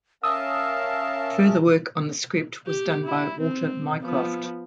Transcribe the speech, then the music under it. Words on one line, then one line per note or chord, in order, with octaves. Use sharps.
Further work on the script was done by Walter Mycroft.
C#4 A#4 E5 F5 A5 D#6 E6
G4
E4
C4
F3 B3